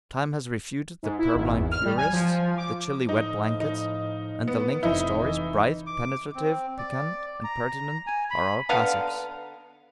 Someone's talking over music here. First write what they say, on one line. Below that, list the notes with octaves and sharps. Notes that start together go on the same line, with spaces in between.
Time has refuted the purblind purists, the chilly "wet-blankets"; and the Lincoln stories, bright, penetrative, piquant, and pertinent are our classics.
G#2
E4
G#1
E2
F6
G3
G#5
F3
D6
A2 F3 D#4
D#4
B3
F1 D#4 E4
E3
D6
C4
D5
A#5
G#5
B5
D3 B3 F5 A#5